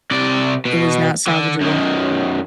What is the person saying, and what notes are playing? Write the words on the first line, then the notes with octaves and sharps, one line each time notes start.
it was not salvageable,
C3 D5
B2
D3
F#2 D#3